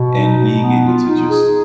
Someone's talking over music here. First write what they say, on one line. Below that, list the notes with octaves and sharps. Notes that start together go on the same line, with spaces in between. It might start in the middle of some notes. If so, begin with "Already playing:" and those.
And being able to just
Already playing: B2
D#4
B2
B3
F4
D#4
G#4